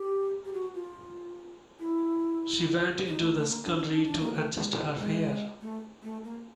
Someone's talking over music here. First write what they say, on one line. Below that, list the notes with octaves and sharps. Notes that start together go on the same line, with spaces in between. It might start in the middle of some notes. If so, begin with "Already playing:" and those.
She went into the scullery to adjust her hair.
Already playing: G4
G4
F#4
F4
E4
D#4
A3
A3
A#3
D4
C#4
D4
D4
A#3
A3
G#3
G#3
A3
A3
A#3